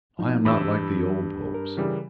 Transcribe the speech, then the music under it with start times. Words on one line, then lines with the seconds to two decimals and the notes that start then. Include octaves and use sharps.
I am not like the old Popes.
0.19 F3 D#4
0.45 G2 E3 B5 E6
1.54 A#4
1.77 C#3 E3 G3